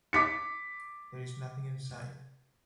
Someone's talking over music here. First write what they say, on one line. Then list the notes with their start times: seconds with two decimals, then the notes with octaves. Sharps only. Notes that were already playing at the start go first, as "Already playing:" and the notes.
There is nothing inside.
0.13 D6 B6 C#7